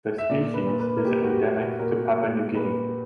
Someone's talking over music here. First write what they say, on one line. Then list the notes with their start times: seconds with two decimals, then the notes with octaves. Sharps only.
The species is endemic to Papua New Guinea.
0.18 E5
0.29 A#2 D5
0.54 B4
0.67 A#2
0.80 B4
0.97 A#4
1.05 A#2 G4
1.23 F#4
1.30 G4
1.42 A#2
1.54 F#4
1.79 A#2 A#4
2.18 A#2
2.54 A#2 B4